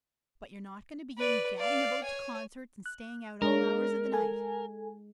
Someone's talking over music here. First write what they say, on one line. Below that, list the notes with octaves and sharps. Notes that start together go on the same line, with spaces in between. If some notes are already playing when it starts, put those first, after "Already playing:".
But you're not going to begin gadding about to concerts and staying out all hours of the night.
B4 D5
D5 F5
C#5 G#5
F#6
G#3 D4 A#4 C#5
A4 G#5